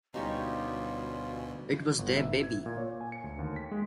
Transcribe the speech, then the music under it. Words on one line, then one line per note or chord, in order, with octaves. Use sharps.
It was their baby.
D2 B2 G3 C#4 D#4 F4 G4 C#5
G1
E5
G#6
A#2
C#5
G#5
C#7
D2
D#2
B6
G#3